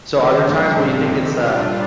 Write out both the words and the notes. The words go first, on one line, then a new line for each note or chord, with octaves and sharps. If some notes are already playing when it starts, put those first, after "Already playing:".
So are there times where you think it's, uh
D#3 G3 A#3
G2 F3 A3 D4
A#2 G3 C4
F2 C3 D#3
A#2 G3 D4 F4